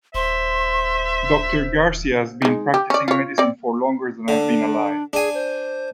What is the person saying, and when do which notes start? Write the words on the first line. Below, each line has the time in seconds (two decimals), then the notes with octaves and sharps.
Doctor Garcia has been practicing medicine for longer than I have been alive.
0.15 D#1 C5 E5 C6
2.42 G#3 D#4
2.74 G4
2.90 C#4 D5
3.08 F4 C#5
3.38 C4 D5
4.28 D3 D4
5.13 D4 G#4 G#5
5.34 C5